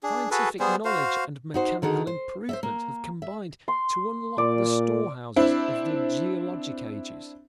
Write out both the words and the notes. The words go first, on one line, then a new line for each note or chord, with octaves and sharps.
Scientific knowledge and mechanical improvement have combined to unlock the storehouses of the geologic ages.
D4 G#4
F#4 G#4 A4 B4
G3 B3 G#4 C5
F#4 C5 F5
D#4 F#4 C5
D3 D#3 F#4 G#4
C5
C5 D#5 E5
A#3
E5
C6
A#2 D5
C4 D4 E4